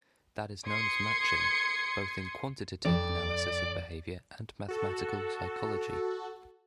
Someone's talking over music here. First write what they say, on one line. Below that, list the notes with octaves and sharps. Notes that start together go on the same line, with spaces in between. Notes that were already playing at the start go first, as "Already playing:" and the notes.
That is known as matching, both in quantitative analysis of behavior and mathematical psychology.
C6 D#6 G#6 C7 C#7
F2 D5
F#4 A4